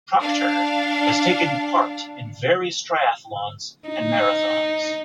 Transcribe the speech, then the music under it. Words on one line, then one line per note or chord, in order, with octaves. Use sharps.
Procter has taken part in various triathlons and marathons.
D4 F5
D#4